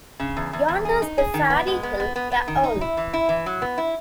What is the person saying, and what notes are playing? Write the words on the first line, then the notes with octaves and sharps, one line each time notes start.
Yonder's the Fairy Hill a' alowe.
C#3
E2
E2
E2
G#4
D#4
G#4
D#3
B3
G#3
B3
B3
B3
B3
D#3
D#4
E4
E3
E4
E3
F#3
B3
E4